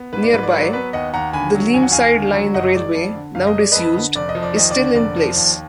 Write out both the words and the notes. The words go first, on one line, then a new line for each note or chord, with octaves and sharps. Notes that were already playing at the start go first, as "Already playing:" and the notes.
Nearby, the Leamside line railway, now disused, is still in place.
Already playing: B3
G#2 B4
D5
G#2 B4
D5
F#3 B4
D5
B3 B4
D#2 D#5 F#5
D#2 F#5 A#5
D3 G#5 B5
F#3
D#2 G#5
F#5
D#2 F5 G#5
D3
F#3
F#1 D#5 F#5
G#3 D5
F2
D3
F#1 F5
D#5
G#3 D5
F2 B4 D#5
D3
F1 D5
D#5
F3
D5
D#2 D#5
D5
D3
F1 D5
F3
D#2